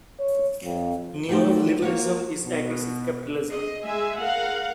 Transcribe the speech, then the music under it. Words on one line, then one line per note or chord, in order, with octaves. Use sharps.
Neo-Liberalism is aggressive Capitalism.
C#5
F2
D#3 G3 A3 F#4 G4 C5
A#3 F#4 A#4 C5 C#5 F5
B2
G#4 D#5
G#3 E5 G#5
A#4 F5 F#5